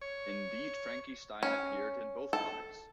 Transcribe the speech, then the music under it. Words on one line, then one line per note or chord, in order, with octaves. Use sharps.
Indeed Frankie Stein appeared in both comics.
C#5
C#4
A4